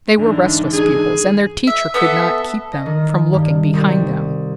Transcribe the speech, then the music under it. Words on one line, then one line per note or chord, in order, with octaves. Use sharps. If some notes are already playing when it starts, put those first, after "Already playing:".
They were restless pupils, and their teacher could not keep them from looking behind them.
G#2 D3 E3 D4 D#4
G#4
E5
B3 A4 E5
D#5
D#3
G2
C2